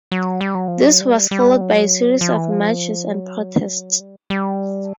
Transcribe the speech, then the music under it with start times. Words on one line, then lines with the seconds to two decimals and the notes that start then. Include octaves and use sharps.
This was followed by a series of marches and protests.
0.12 F#3
0.41 G3
0.55 F#3
0.68 F3
0.81 F#3
1.01 G3
1.31 G3
1.61 F#3
2.21 F3
2.36 E3
2.50 F3
3.11 F#3
4.00 G3
4.30 G3